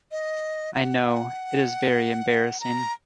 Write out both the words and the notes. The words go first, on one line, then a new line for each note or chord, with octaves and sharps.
I know; it is very embarrassing.
D#5
F#5
A#5